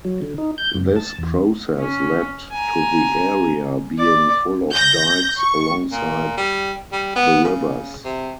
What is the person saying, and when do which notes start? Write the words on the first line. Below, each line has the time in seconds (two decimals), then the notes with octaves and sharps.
This process led to the area being full of dikes alongside the rivers.
0.05 F#3
0.22 D3
0.38 D#4
0.58 G6
0.74 F#2
0.96 A5
1.18 E2
1.78 C#4
2.52 G#5 A#5
3.98 D5
4.73 G6 A#6
5.37 C#6
5.92 A#2
6.37 G3
6.92 G3
7.16 B3
7.44 C#3
8.05 C3